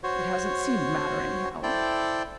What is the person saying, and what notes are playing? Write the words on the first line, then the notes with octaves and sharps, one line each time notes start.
"It hasn't seemed to matter, anyhow."
F#4 C5 C#5
E4 A4 C5 D5 G5